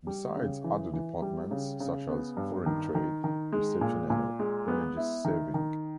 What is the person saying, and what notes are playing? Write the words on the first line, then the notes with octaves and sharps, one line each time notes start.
Besides other departments such as Foreign Trade, Reception and Energy Saving.
G3
C#3
E3
E3
G3
C#3
C#3
B3
G2
D#3
D#3
D#3
G#3
A#2
A#2
G#3
B3
E4
D#3
D#3